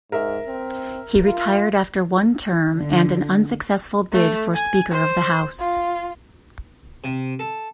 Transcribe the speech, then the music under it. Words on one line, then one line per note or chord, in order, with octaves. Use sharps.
He retired after one term and an unsuccessful bid for Speaker of the House.
G#2 A#4 E5
C4
F4
D3
A3
G#5
C5
F4
C3
A4